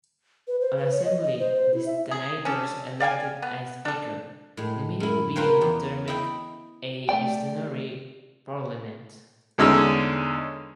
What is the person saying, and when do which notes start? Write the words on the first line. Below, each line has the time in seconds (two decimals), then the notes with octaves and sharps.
On assembly the stannators elected a speaker, the meeting being termed a Stannary Parliament.
0.48 B4
0.61 C5
0.77 B4
0.92 C#5
1.05 D#5
1.23 D#5
1.40 C5
1.55 C5
1.74 E4
1.86 E5
2.11 G#4
2.45 C#4 D4 A4
3.00 D5 F5 G5 G#5
3.42 B3
3.85 D4 A4
4.57 A2 G#3
5.00 F#2 E4
5.36 F4 A#4 B4 C#5 F5 G5
5.61 E2 G4
6.08 E4 D#5 E5 G5
7.09 A3 G4 D5 G5
9.58 E2 D3 G#3 C#4 D#4 E6